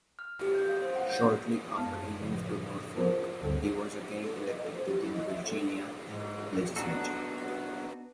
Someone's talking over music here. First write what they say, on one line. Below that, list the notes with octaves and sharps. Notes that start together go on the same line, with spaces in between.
Shortly after he moved to Norfolk, he was again elected to the Virginia legislature.
F6
G4
G6
F5
C5
F#5
G6
F#2 G#3 B3 F5 A5 F6
A2 C#3 F3
B3 F4 G#4 A#4 C5
D2 G2 D3 G3 A4
A4
B4
D#5
A4
C5
G4
E4
D#5
E5
A4
D4
G#2
B3 D4 D#4 F#4 A4